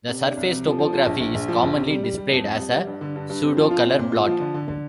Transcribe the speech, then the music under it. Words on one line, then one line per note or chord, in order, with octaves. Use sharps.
The surface topography is commonly displayed as a pseudocolor plot.
C3
D4
C2
C3
F3
F3
F3
A#1
A#1
A#1
F3
A#1
C3
G3
G3
G3
F2
F2
G3
G3
G2
D3
G2
G2
C4
F3
F4
C4
A#2
F4
F3
D3
D3
D3